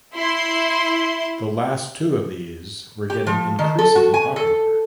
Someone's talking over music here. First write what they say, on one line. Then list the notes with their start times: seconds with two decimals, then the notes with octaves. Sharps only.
The last two of these were getting increasingly popular.
0.15 E4 C6
3.10 G4
3.27 F3
3.59 D#3
3.79 A4
3.95 F#4
4.14 G#5
4.36 A4